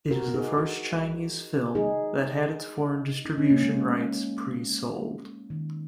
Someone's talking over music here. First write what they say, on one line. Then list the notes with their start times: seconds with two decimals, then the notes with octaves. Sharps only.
It is the first Chinese film that had its foreign distribution rights pre-sold.
0.11 F#4 A#4
0.28 F#4
0.34 D#4 G#4
0.58 F#4 A#4
1.75 D#4 G#4
3.25 D#4
3.38 C#4
3.50 A#3
3.63 G#3
5.50 D#3